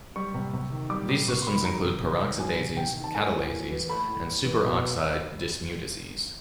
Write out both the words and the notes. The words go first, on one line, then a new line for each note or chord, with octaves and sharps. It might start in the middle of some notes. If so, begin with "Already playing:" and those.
These systems include peroxidases, catalases, and superoxide dismutases.
G3 C#6
C3
C3
D#3
G3 D6
C3 D6
C3 C#6
C6
D#3 B5
F#3 A#5
C3
C3
D#3
F#3 G#5
C3
C3 G5
D#3
A5
A3 G#5
A2
A2
E3
A3 B5
A2
A2
E3
B2